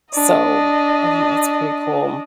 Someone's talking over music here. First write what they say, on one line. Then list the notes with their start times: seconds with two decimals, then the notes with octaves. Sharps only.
so, I think that's pretty cool.
0.14 D4 D#5